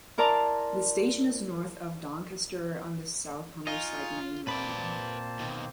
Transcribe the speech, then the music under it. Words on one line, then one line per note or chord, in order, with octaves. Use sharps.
The station is north of Doncaster on the South Humberside Main Line.
E4 A#4 D5 A5 A#5 C6
D#4 F4 D#5 F5 G#5 C#6
A#2 A#3 C4 B4 D5 A5 B5
B2 D#3